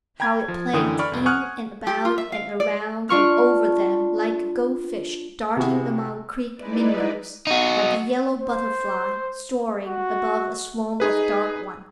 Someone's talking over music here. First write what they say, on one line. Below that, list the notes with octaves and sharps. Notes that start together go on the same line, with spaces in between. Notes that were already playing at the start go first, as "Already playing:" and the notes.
How it played in and about and around and over them, like a goldfish darting among creek minnows, like a yellow butterfly soaring above a swarm of dark ones.
G5 A#5 B5 G#6
F3
F#2 D3 E3 G5 D#6
D5 B5 C#6 F6
C2 F2
F#5 G#5 C#6 D#6 F6 F#6
G4
F4
E5
F5
D5
D4 F4 C#6 F6
C3 B3 E4 F#4 G#4
G#3 D#4 E4 B4 D5
D#4 F#4
C5
F#4
D#4 G#4 B4